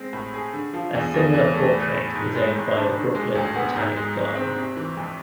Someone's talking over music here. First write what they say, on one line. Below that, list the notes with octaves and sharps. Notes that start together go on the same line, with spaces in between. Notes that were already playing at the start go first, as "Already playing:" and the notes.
A similar portrait is owned by the Brooklyn Botanic Garden.
Already playing: G#3 C4
A2
G#4
D3
F3
E2
E2
E3
A3
A2
A2
G#2
G#3
G#1
D4
D3
G#3
D2
B3
G#2
G#3
G#1
C4
C3
E3
F2